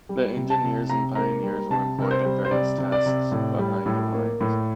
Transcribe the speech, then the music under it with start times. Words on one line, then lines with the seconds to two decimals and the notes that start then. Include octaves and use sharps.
The engineers and pioneers were employed at various tasks behind the lines.
0.09 G3
0.37 C3
0.50 A5
0.63 C3
0.90 C3 A#5
1.15 A#3 A#5
1.43 G3
1.70 C3 A5
1.98 C3 A#4
2.11 C5
2.25 G3
2.45 C5
2.51 C3 D5
2.78 C3
2.92 D5
3.06 C3
3.32 A2
3.59 G3
3.86 A2
4.14 A#3
4.41 A2